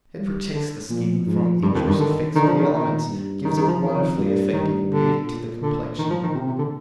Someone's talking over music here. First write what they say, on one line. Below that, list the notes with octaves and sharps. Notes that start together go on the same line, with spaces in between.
It protects the skin from injurious effects of the elements, gives a wonderfully effective beauty to the complexion.
G3
D3
A#2 F3
G#2 F3
G2 D#3
F2
G2
D3
D3 D#3
F3
D#3
A#2 D#3
G2
D#3
D#3
F3
F2 D#3
G2
G2 D#3
D3
A#2
D3
A#2 D#3
F3
D#3
C3
C3
D3